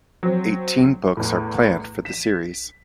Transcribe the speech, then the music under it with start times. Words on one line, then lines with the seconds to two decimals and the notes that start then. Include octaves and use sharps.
Eighteen books are planned for the series.
0.23 F#3 C4
1.17 E2 A2
2.05 B6 E7